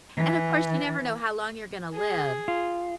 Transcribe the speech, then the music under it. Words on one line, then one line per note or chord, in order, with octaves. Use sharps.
And, of course, you never know how long you're gonna live,
E3
G#4
F4